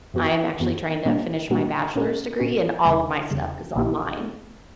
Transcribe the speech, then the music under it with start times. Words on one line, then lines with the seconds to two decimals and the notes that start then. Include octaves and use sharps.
I am actually trying to finish my bachelor's degree, and all of my stuff is online.
0.14 F#2 E3 B3 F#4
0.60 F#2 E3 B3 F#4
1.05 A#2 G3 A#3 D4 F#4
1.50 A#2 G3 A#3 D4 F#4
1.95 A#2 A#3 C#4 F#4 A#4
2.40 A#2 A#3 C#4 F#4 A#4
2.85 E2 C#3 G3
3.31 E2 C#3 G3
3.76 A#1 A#2 A#3 E4 G4